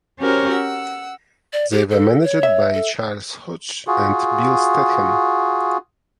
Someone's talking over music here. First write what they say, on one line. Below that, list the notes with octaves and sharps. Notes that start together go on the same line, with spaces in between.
They were managed by Charles Hodge and Bill Statham.
C#4 F#4 G4 A#4 C5 C#5
F#5 E6
D5
G4
A4
C#5
E5
A4
F4 F#4 G#4